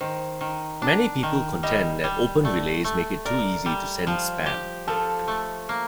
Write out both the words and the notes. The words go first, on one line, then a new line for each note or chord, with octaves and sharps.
Many people contend that open relays make it too easy to send spam.
D#3 C5
D#3
D4
D#3
G3 D#5
G3
A3 D5
A3
A#4 D5
G3
F3
G4
F3 A4
A3
A#3